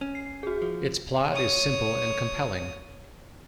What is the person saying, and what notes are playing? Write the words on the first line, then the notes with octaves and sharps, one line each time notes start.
Its plot is simple and compelling.
C#4
C7
F#4 G#4
F3
C#5 D#6